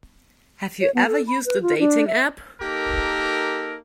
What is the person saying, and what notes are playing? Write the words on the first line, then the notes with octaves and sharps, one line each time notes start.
Have you ever used a dating app?
C#5
B3
A4
B5
B4
F4
D4
E5
A#3 D#4 G4 A4 A#4